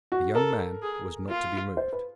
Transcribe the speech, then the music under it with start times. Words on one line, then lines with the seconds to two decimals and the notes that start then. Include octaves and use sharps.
The young man was not to be moved.
0.12 F#4
0.35 A4 A#4
0.82 G#4
1.29 F4
1.77 C5
1.93 B4